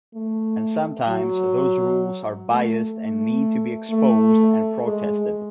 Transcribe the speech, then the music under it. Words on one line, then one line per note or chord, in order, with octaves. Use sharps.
And sometimes those rules are biased and need to be exposed and protested.
A3
F#3
A3
A3
A3
G#3